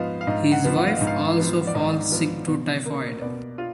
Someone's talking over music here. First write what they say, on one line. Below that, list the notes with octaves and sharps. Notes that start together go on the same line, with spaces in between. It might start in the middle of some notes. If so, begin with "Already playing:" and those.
His wife also falls sick to Typhoid.
Already playing: G#2 F3 B3 D#5 F5
F5
G#2 D#5
F#5
F3 B3
F#5
F5
G#2 D#5
F5
F3 B3
D5
G#2 D#5
F3 B3
B2
A#3
B2 D5
F4